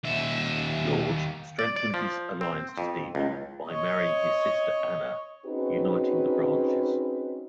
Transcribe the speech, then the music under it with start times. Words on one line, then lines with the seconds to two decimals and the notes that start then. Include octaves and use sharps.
George strengthened his alliance to Stephen by marrying his sister Anna, uniting the branches.
0.04 D#2 E5
1.59 D5
1.76 D5
1.94 F3
2.41 C4
2.78 F2
3.15 C#2
3.67 C#5 D#5
5.46 C4 C#4 D#4 F#4 G#4 B4